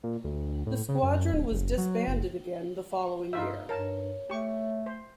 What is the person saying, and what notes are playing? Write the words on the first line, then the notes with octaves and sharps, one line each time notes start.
The squadron was disbanded again the following year.
A#2
D2
A2
C#3
F#2
D1
F#1
F#3
F#1
G2 D#4 F4 E5
G2 A#4 C#5 A5
A3 G4 C#6
C5